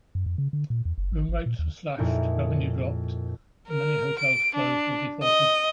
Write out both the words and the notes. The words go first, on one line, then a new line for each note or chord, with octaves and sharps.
Room rates were slashed, revenue dropped, and many hotels closed or defaulted.
F#2
F2
C#3
D3
A#2
E2
F#1
G#1
G#1
A#2
D#2
F2 A#2 D#4 E4 A#4
A#4
D7
D4
D#5